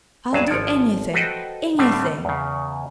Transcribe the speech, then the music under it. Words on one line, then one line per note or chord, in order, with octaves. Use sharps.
I'll do anything--anything!
D2 G2 F#3 G#4 A5
G#1 F3 C#5 D5
F#4 A4 B4 C5 D#5 G5
A2 D3 G3 A3 C4
E2 C#3